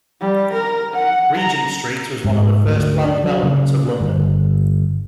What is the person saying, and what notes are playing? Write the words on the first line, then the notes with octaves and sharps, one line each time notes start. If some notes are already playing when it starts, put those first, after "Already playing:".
Regent Street was one of the first planned developments of London.
G3
A#4
F#5
A#5
G#2
D2
D4
F#3
C#3
G1